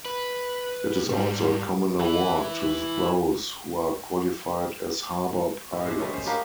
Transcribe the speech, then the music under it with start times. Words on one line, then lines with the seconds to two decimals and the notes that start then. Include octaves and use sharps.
It is also a common award to those who are qualified as harbor pilots.
0.05 B4
1.10 G#2 G3
2.00 E3 E4
5.73 E4
5.85 D3 G#3 G4 C5
5.98 G#3 A3 B3 C#4
6.13 C#4 C5
6.26 A#3 B3 D4 G4